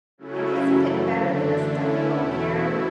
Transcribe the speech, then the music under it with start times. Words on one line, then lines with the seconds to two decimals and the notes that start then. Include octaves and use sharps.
"And isn't it better than a stuffy old carriage?"
0.18 C#3 F#3 A3 C#4 E4
0.67 F#2 E3 A3
1.16 D3 A3 D4
1.66 D3 A3 C#4 E4
2.15 E2 B2 A3 E4